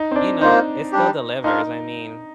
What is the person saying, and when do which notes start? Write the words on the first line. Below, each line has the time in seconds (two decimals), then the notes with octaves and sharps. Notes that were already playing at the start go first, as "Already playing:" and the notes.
you know, it still delivers. I mean,
Already playing: D#4
0.11 C4
0.16 D4
0.41 A#3 D#4 F4 C5
0.93 G3 D4 G4
1.44 D4 D#4 F4 A#4 F5